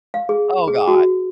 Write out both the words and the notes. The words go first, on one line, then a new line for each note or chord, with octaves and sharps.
Oh god.
F5
G#4
G#4
F#4